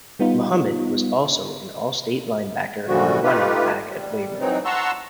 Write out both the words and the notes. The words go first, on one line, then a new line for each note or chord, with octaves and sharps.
Muhammad was also an all-state linebacker and running back at Waverly.
G3 B3 D#4 F4
F#2 A#2 D3 F3 G3 F#4
A3 D#4 F4 G4 B4
G3
E3 F#3 C4 D#4
F#5 A5 A#5 C6 C#6 E6